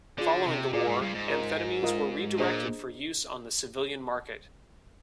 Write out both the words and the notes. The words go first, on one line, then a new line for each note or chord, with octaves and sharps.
Following the war, amphetamines were redirected for use on the civilian market.
D3 F4 G#4 D5
C3
A#2 F4 G#4 D5
G#2
G2
G#2
F4 A#4 D#5
F4 A#4 D#5
A#2 D4 G#4 C5 D#5 A#5